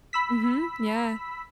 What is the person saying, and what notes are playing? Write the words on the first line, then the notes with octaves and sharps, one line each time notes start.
Mhm, yeah.
B5 E6 B6